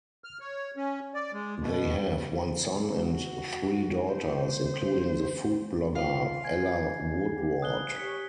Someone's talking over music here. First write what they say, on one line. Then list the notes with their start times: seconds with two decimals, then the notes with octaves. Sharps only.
They have one son and three daughters, including the food blogger Ella Woodward.
0.24 F6
0.40 C#5
0.77 C#4
1.14 D5
1.33 G#3
1.60 B2
3.01 F#4
4.13 C5
5.95 F4 F5 C7
6.44 G#5 G#6
7.34 G4
7.62 G#1 D#2 D#6 F#6 G7
7.96 G4 C#5 B6 C#7